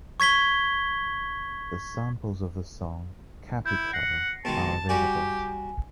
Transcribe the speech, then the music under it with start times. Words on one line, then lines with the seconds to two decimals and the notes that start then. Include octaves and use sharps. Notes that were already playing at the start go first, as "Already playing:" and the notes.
The samples of the song “Capito?” are available.
0.20 C#6 G#6 B6 G7
3.66 E4 G6
3.93 F#5 A#6 C7 C#7
4.45 B2 D#3 G#3 A5
4.89 G3 F#4 G4 D5 G#5